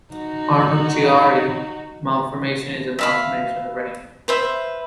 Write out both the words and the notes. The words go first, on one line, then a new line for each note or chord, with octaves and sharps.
Arnold-Chiari malformation is a malformation of the brain.
D#4 F#4
E5 F5 B5
B4 C5 E5